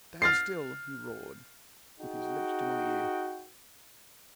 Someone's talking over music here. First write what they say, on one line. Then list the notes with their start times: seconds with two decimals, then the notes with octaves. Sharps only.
"Stand still," he roared, with his lips to my ear.
0.22 F6 A6 C7
2.00 D#4 F#4 G#4 G5